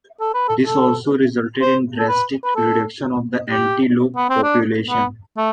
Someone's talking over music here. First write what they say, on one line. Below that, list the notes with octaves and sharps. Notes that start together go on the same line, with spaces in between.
This also resulted in drastic reduction of the antelope population.
A4
B4
A4
A4
C5
A4
B4
B4
A4
G4
B3
C4
D4
B3
A3